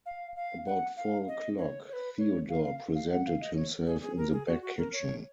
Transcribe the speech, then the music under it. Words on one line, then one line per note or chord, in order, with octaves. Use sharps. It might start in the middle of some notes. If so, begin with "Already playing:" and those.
About four o'clock Theodore presented himself in the back kitchen.
F5
F5
F#5
F5
D#5
C#5
C#5
B4
C#5
F5
F5
F5
F#5
F5
D#5
C#5
G#4
G#4
A#4
G#4
F#4
F#4
A#4
C#5